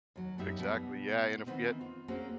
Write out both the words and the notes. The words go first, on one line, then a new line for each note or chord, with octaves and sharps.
Exactly, yeah, and if we had
D#2 F#3
F#2 B2 D#4 G4 E5
B2 G3 B3
D#3 E3 G3 B3 C4 D#4
F4
A#3 C4 C#4 F#4 G#4